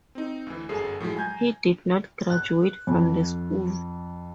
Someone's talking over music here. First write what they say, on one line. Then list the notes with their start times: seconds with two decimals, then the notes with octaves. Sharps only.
He did not graduate from the school.
0.15 C4 D#4
0.47 D2 E3
0.69 G1 F#2 G#4 A4 C7
1.00 A2 F3 F#3 G#3
1.17 G#5 A#5 G6 G#6
2.30 F#6
2.87 F2